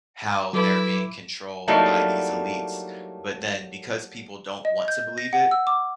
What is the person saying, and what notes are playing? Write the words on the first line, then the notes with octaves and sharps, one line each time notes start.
how they're being controlled by these elites, but then because people don't want to believe it,
F#3 E4 A4 B4 D6
F#3 G3 A3 A#3 D#4 E4
D#5
G6
A#6
F#5
E6
D6